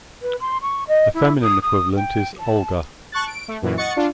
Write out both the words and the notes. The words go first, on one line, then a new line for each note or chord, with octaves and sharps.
The feminine equivalent is Olga.
B4
C6
C#6
D#5
E4
D#6
D#6
G5
A5
A5 C#6 F#6 A6
D7
A3
F#2 A#2 E3
D#5 F#5 C#6 A6 C#7
D4 F4